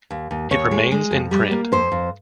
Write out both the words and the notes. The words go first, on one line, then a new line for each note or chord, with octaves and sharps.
It remains in print.
D#2
D#2
D#2 C#5
G#3
G#3
F2
G3
A#3
F2 C5
F2